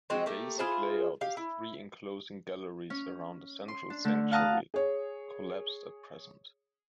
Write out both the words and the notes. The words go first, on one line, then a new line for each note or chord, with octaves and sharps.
The basic layout is three enclosing galleries around a central sanctuary, collapsed at present.
F3 G#3 C4 F#4
A3 A#3 G4
E4 F4 G#4 C5
G4 F5
E4
C#4
C6
D4
D3 A3
F5 F#5 A5 A#5 D#6 F6
G#4 C#5